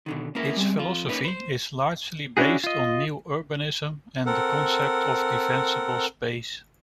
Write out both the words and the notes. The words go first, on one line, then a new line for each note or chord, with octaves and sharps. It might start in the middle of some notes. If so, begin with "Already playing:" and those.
Its philosophy is largely based on New Urbanism and the concept of Defensible space.
B2 D3 D#3
A#3 B3 C#4 E4 A#4
G3 G#3 C4
F2 F4
A#3 C#4 D#4 B4
B4 C5
C#4 D4 E4 F#4 G#4
F4 D#5
C4 A4 A#4 F#5